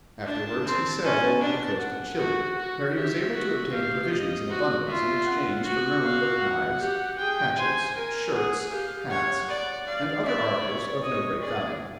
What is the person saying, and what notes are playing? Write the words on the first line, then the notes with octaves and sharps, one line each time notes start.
Afterwards he sailed along the coast of Chili, where he was able to obtain provisions in abundance in exchange for Nuremberg knives, hatchets, shirts, hats, and other articles of no great value.
D4 A5
C4
C#4
D4 A5
F#5
F#4
F#4
G4 E5
F#4
G4 F5
D#5
F#4
F4 E5
F#5
F#4
F5
F#5
G4
G#4 G5
C5 G#5
A#4 G#5
G#4 F#5
G4 F5
C#5 F#5
D5
D5 F5
D5 E5
C#5
D#5
G#4 D5